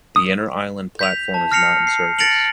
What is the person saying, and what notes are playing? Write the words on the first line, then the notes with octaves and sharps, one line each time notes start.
The inner island platform is not in service.
D#6
G6 B6 F7
A5
F6 A#6 C7 C#7 F7
C7
A6 A#6 C#7 D7 F7 F#7